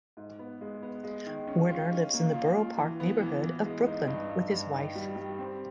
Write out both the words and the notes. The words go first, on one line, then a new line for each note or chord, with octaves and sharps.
Werner lives in the Borough Park neighborhood of Brooklyn with his wife.
G#2
B3
G#3
B3
G#3
D#3
C#4
F4
C#4
A#3
F4
F4
E3
B3
E3
E3
G#3
D#4
G2
G2
G2
D#3
G3
G3
C4